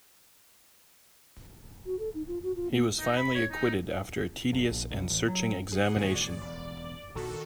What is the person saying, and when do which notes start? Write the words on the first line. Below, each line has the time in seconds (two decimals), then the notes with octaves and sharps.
He was finally acquitted after a tedious and searching examination.
1.86 F#4
1.99 A4
2.14 D#4
2.27 F4
2.43 F#4
2.56 F4
2.71 A#3
2.99 D#4
3.17 B5
3.35 C#5
3.51 D#4
4.52 F#1
4.70 A#1
4.91 C2
5.10 A1
5.28 F#3
5.72 G#4 F#5
5.96 A2 D#3 E3 F#4 G#4 C#5
6.15 D5
6.40 E1
7.15 A#1 A#2 D#3 F#4 A4